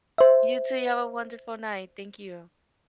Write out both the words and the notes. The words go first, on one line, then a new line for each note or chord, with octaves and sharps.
You too. You have a wonderful night. Thank you.
C5 E5